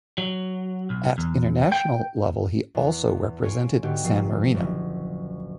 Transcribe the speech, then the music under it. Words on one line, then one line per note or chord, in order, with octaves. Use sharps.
At international level, he also represented San Marino.
F#3
B1
E2
G5
E2
F4 C#5 G#5 D7
G#2 D3 B3 F#4 G4
F1 A#1 F3 C7
F#1